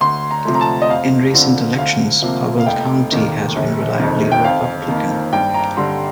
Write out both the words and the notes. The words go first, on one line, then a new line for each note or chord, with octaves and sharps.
In recent elections, Powell County has been reliably Republican.
D2 C6
A#5
C3 F3 A3
A#5
A5
D#5
F2 F5
D3 F3 C4
D2 F5
C3 F3 A#3
F5
F1 G5
D#2 D#3 A#3
G1
F2 D#3
G5
F2 F5
D#3 A#3
G2 G5
A#5
D3 G3 C6